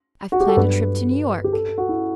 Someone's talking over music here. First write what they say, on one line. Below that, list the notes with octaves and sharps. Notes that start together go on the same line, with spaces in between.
"I've planned a trip to New York."
F#4
G4
A4
G2 F#3 B3 D4 B4
G4
A4
F#4
E4